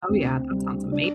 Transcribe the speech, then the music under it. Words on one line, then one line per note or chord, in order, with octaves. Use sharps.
Oh yeah, that sounds amazing
D2 C4
C3 G3
D4